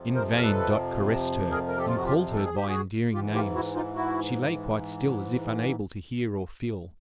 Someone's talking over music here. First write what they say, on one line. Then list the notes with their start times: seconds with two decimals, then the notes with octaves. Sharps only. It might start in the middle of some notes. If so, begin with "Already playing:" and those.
In vain Dot caressed her, and called her by endearing names; she lay quite still, as if unable to hear or feel.
Already playing: F2 C3 F3
0.15 A#4 C5
0.37 A#4
0.42 A4 B4
1.51 G#4 A#4
1.68 A#4
1.78 G4 A4
1.87 F4
1.96 F#4
2.05 F4 G4
2.33 A4
2.44 G#4
2.55 G4
2.67 F#4 G#4
3.14 G#2 E3 F4 G4
3.34 F4 G4
3.55 E4 F#4
3.75 D#4 F4
3.95 E4 F#4